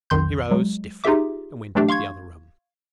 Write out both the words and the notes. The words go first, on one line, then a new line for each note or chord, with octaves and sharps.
He rose stiffly and went into the other room.
B1 F2 D#3 C6 G6
F#3 G#3
D#4 F4 G4 G#4 E5 D6
E3 F#3 A3 D4 G4
F5 C6 C#6 G#6